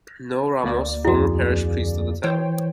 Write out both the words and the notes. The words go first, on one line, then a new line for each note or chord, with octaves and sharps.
Noe Ramos, former Parish Priest of the Town.
D2 A#3 D5
F2 E4 F#4 G#4
E3 C5 C#5 G5